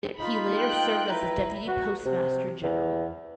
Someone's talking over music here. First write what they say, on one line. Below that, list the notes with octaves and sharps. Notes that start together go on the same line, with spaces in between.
He later served as the Deputy Postmaster General.
D#4 F4 B5
G5 F#6 G6
E4 B4 A#5
F#4
C3
E2